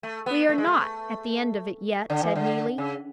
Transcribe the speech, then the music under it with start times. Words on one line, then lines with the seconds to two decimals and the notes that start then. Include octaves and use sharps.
"We are not at the end of it yet," said Neelie.
0.03 A3
0.26 B3
0.49 A3
0.58 G#3
0.67 A3
2.10 D3
2.23 E3
2.36 D3
2.78 C#3